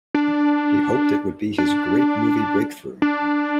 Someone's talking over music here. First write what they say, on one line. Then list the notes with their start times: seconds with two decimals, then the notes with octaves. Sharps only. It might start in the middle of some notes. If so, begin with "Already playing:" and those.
He hoped it would be his great movie breakthrough.
0.14 D4
1.58 D4
3.02 D4